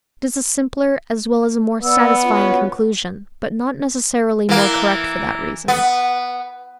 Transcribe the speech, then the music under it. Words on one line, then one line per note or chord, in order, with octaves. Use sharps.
It is a simpler as well as a more satisfying conclusion, but not necessarily more correct for that reason.
B3 D5 E6
C#4 F4 F#4
E3 A#3
B3